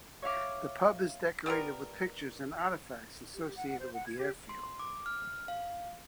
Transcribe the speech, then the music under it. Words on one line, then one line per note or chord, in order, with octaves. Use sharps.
The pub is decorated with pictures and artifacts associated with the airfield.
C#5 E5 F5 D6
G3 B3 F4 A#4
G4
F#5
C5
F#5
G#6
G4
C6
D6
F6
F5